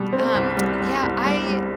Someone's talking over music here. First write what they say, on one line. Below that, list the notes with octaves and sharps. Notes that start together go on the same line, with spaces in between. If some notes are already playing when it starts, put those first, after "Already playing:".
I Um, yeah, I
Already playing: B2 G3
C4
C2
G3
G3
C2
G3
G3